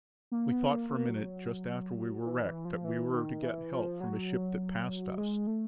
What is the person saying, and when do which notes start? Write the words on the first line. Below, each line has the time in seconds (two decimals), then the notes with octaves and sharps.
We thought for a minute just after we were wrecked that we were to get help from a ship that passed us.
0.31 A#3
0.51 B3
0.71 A#3
0.89 A#3
1.09 F#3
2.26 E3
2.45 E3
2.65 F3
2.84 E3
3.13 D#3
3.43 E3
3.72 F3
4.00 F#3
5.17 G#3
5.47 A3